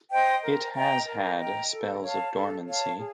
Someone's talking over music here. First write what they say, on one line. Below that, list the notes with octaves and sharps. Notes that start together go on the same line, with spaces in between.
It has had spells of dormancy.
C5 D#5 G5
A#4
D#5 G5 A#5
A#4
D#5 G5 A#5
A4
C#5 F5 A5
A4
C#5 F5 A5
G#4